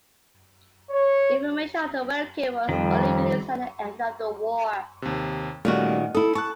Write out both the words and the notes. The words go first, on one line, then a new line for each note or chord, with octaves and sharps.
Information on the Welkin was only released at the end of the war.
C#5
F2 D#3 G3
D#2 C3
A#2 D#3 G3 A3 C#4 F#4
E4 A4 D#6
A5 C#6 F#6